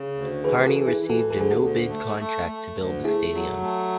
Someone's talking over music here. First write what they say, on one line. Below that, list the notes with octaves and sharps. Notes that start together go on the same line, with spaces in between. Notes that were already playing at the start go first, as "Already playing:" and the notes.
Harney received a no-bid contract to build the stadium.
Already playing: C#3
D2
E3 G#4 B4
F#4 A4
E3
E4 G#4
E3
F#4 A4
D2 A4
G#4
F#4 A4
D2
A3
A3
A3
D2
A3 E4 G#4
F#3
A3